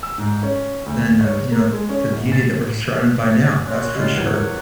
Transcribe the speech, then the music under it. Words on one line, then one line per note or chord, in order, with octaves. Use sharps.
than, uh, you know, the beauty that we're surrounded by now. That's for sure,
E6
G#2
C#4
D2
C#5
A#3
G#3
C#4
D1
A6
C#4 F4 F#4
C#3 G3 G#3 F4
D#1 E2 E3 A#3 C#5 F#5